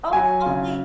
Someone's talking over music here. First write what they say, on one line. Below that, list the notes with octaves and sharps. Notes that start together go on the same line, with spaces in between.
Oh, oh, wait.
F#3 G#5
C#3